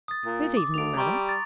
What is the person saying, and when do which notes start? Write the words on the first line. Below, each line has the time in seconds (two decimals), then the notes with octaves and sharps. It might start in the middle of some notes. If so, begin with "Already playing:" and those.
'Good evening, Mother.'
0.08 D#6 A6
0.24 A#2
0.57 D6
0.74 D2 D7 F7
0.97 G3 A#5 C6 C#6
1.29 A6